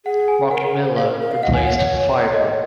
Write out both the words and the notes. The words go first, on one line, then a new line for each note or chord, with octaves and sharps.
Mark Miller replaced Firebaugh.
G#4 F#5
G#5
A#4 F#5
G#4
C5
C5 F5
A#4
A#4
F5
D#5 F#5
C#5 G#5
C#5 F#5
C#5
D#5